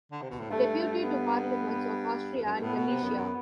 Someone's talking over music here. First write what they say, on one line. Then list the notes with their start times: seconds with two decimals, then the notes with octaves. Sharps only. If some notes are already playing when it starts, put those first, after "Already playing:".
Deputy to parliaments of Austria and Galicia.
0.12 D3
0.22 C3
0.30 B2
0.40 A2
0.50 G2 A3
1.03 B3
2.35 E2
2.45 F#2
2.53 G2
2.62 A2 B3
2.76 B2
2.89 C3
3.02 F#2
3.10 E2
3.15 F#2